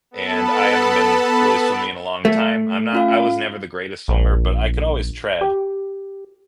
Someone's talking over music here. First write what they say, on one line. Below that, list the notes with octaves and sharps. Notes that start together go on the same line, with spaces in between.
and I haven't been really swimming in a long time. I'm not I was never the greatest swimmer, but I could always tread,
B3 A4 A5 B5
A3
C#4 F4 F5
A#1
G4